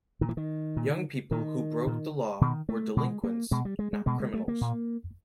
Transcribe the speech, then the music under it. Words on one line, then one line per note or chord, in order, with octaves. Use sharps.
Young people who broke the law were "delinquents," not criminals.
A#2 D#3
E3
D#3
A#2
A#2 D#3
A#2
B2 D#3
A3
B2 G#3
A#3
B2 G#3
G3
G#3
G#3
B2 G#3
G#3
A3
A#3
A#2